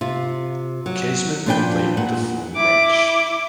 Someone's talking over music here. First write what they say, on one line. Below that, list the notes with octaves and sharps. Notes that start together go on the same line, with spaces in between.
Casement played the full match.
C3 F4
F#3
A#2 F3 D4 B4 D5 G5
A#2 F#5
E4 D6